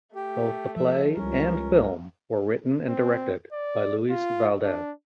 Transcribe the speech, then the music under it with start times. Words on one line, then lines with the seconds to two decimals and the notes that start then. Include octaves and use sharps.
Both the play and film were written and directed by Luis Valdez.
0.15 A3 G4
0.76 F3 A4 E5
1.17 C#2 G3 C#4 E4 A#4
2.87 C4
3.52 D5
4.10 F4
4.65 D4